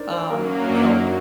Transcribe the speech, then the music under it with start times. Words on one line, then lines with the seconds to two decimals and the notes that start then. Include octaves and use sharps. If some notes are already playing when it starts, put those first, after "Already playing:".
um, you know,
Already playing: D4 D#4 A#4 C5 D5
0.12 C5
0.30 F#2 F#3 A#3 A#4
0.67 D4
0.86 D#4
1.05 F#4